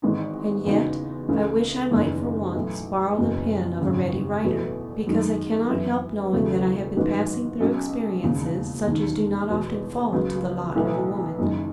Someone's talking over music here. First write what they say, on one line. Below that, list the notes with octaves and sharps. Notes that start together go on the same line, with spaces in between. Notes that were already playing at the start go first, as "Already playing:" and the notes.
And yet I wish I might, for once, borrow the pen of a ready writer; because I cannot help knowing that I have been passing through experiences such as do not often fall to the lot of a woman.
G#1 G#2 E3 G#3 D#4
E2 C#3 G#3 D#4 F#4
C#2 C#3 E3 A3 C#4
F#1 E2 D#3 G#3
B1 A2 E3
F#1 E2 B2
G#1 F#2 C#3
E2 B2 A3 E4
F#2 D#3 G#3
F#2 E3 B3 E4
E1 E2 C#3 F#3 A3
A1 G#2 D#3 F#3 B3
B1 B2 G#3 C#4
E1 D#2 C#3
E1 D#2 D#3
E2 B2 G#3
C#2 C#3 F#3 B3
B1 A2 E3 B3 E4
F#1 F#2 D#3 G#3